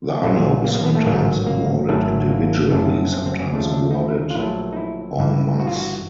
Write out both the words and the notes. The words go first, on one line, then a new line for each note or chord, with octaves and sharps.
The honor was sometimes awarded individually, sometimes awarded "en masse".
A#1 A#2 F#3 E4
F4
A#3
A#3
B3
A3
A1 G#2 D#3 F#3 A#3
A3
A#3
G#1 G#2 D#3 F#3 A3
A#3
G1 F#2 C#3 F#3 A3
C4
C4
C#4
D#2 C#3 F3 A3 D4
D4
D#4
E4
E4
D#4
F4
A#1 A#2 F#3 A3 E4
D#4
E4
G1 G2 E3
F#4
F4
F#4